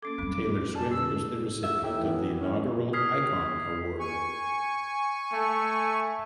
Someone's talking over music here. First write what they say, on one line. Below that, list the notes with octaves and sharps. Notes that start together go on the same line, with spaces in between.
Taylor Swift was the recipient of the inaugural "Icon" award.
A#3 C#4 A4 D6
F2 F#3 G3 C4
F#4 D5 G#5 A5
D3 C#4 G4 E6
F#4 E5
A2 D#4 G4 G5
E3 B3
C#4
D#6 F6 G#6 B6 C7
G#5 C#6
A3